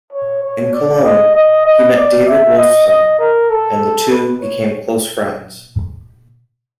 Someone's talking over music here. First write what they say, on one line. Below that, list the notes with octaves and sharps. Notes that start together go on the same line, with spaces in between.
In Cologne he met David Wolffsohn and the two became close friends.
C#5
C#5
D5
D#5
D#5
D#5
D5
E5
D#5
D#5
A#4
A4
B4
C#5